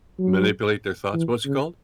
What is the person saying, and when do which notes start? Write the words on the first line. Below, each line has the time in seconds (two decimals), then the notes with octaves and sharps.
manipulate their thoughts. What's it called?
0.19 F#3
1.14 E3
1.45 C#3